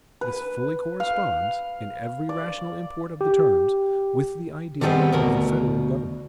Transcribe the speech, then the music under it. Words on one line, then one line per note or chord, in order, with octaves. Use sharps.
This fully corresponds, in every rational import of the terms, with the idea of a federal government.
B4
F5
D5
G4
D3 D#3 G3 G#3 B3 C4
D2 B2 A#4